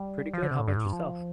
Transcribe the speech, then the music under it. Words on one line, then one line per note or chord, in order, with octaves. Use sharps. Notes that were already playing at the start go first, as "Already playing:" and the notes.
Pretty good, how ‘bout yourself?
Already playing: G3
F3
D3
C3
A2
G2
A2
G2
F3